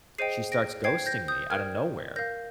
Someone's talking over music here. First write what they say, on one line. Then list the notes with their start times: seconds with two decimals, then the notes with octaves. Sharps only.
she starts ghosting me out of nowhere,
0.18 G#4 C5 D#5 G5 C7 D#7
0.52 A#6 D7
0.84 C5 G5 G#6 C7
1.06 G6 A#6
1.28 D#6 G6
1.50 A#4 D5 G5 F6 G#6
2.16 A#4 F5 G6 A#6